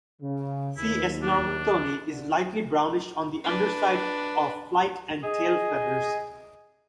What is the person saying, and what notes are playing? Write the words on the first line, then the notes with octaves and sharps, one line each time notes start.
"C. s. normantoni" is lightly brownish on the underside of flight and tail feathers.
C#3
D#2 E4
D4
D3
D4 B4
G#4 D#5